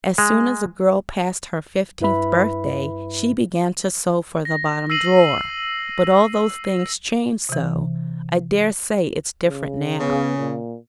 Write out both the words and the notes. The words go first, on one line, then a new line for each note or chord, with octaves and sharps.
As soon as a girl passed her fifteenth birthday, she began to sew for the "bottom drawer." But all those things change so, I dare say it's different now.'
G#3
G2 E4 B4 E5 B5
A#6
E6 A#6 C7 D#7 F#7
C3 E3
C#3
C#3 B3
A#2